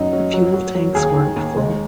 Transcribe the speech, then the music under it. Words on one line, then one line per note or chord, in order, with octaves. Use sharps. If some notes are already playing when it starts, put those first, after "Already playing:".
The fuel tanks weren't full.
Already playing: F#2 F#3 D#4
F#3
F#3
F#3
F#3
D#2 G#4
D#3
D#2
G#3